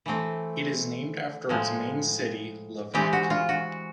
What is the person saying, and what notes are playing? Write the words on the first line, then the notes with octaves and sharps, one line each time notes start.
It is named after its main city - Lovech.
E3 A3 C4
A2 F3 G#3
E3 G#3 C4 G4
F#4
F4
F#4